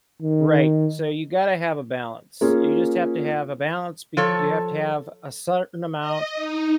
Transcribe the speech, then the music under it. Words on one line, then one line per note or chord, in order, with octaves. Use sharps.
Right. So you gotta have a balance. You just have to have a balance b you have to have a certain amount
D#3
A#3 C#4 F4 G#4
F3 A4 C#5
D#5
D#4